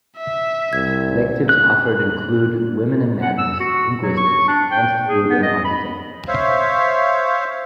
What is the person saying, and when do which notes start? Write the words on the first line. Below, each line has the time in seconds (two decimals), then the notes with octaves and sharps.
Electives offered include Women and Madness, Linguistics, Advanced Food and Architecture.
0.19 E5
0.73 C2 G#6
1.49 F#6
3.22 F#5
3.38 E6
3.60 F#4
4.03 F#3
4.17 C#6
4.48 D4
4.71 G5
5.07 G#4
5.28 B3
5.43 D#5
5.65 B5
6.28 C5 C#5 E5 F5